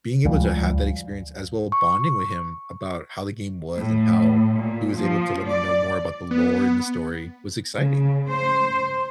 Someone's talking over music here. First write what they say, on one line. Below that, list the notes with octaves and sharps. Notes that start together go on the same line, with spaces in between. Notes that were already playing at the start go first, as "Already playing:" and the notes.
being able to have that experience as well bonding with him about how the game was and how he was able to let me know more about the lore and the story, was exciting.
D2 F3 G3 G#3
C#6
A2
A#2
F3
D5
B3
C#3
C5